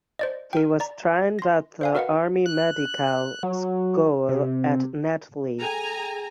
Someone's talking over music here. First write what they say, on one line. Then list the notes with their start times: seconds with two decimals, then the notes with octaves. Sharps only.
He was trained at the Army Medical School at Netley.
0.19 C5 D5 D#5
0.53 A#4 G5
0.80 D5 A#5
1.39 C6 A#6
1.81 C5 F5 G#5
1.95 F#4 A#4 B4 D#5 F5 F#5
2.46 F#6
3.43 F#3
4.29 C3
5.60 G#4 A4 G5 G#5 A#5